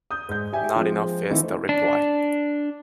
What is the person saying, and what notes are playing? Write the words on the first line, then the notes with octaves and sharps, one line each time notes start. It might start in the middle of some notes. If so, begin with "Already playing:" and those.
Not enough, is the reply.
D#6 G6
G#2 G6
G4 E5 G#5
F3 G#3 C4
D#3 E3 A3 C4 D#4 E4
D4